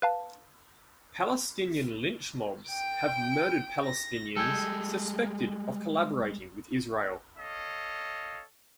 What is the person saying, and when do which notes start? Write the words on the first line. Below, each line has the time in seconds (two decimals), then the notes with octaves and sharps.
Palestinian lynch mobs have murdered Palestinians suspected of collaborating with Israel.
0.02 B4 F5 A5
2.70 G5 D7
3.84 A#6
4.36 G3 G#3 A4 G5 G#5
7.38 A4 C#5 D#5 F5